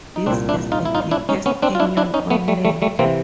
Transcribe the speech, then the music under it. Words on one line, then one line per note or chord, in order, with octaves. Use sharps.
This is the deepest canyon on land.
D#4
C2 A#2 C4 D4
D4 E4
D#4 F4
E4
D#4 F4
D4 E4
C#4 D#4
B3 C#4
C4 D4
F4
D4 E4
D4 E4
C#4 D#4
A3 B3
G3 A3
G3 A3
G3 A3
C3 E3 A#3 C4